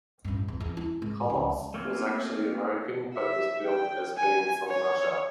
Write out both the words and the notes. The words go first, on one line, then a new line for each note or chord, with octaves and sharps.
Koloff was actually American but was billed as being from Russia.
A1 G2
E2
E2
E4
G#2
C#2
A3 A#3 C4 C#4 F4
E5
G5
G#5
C#5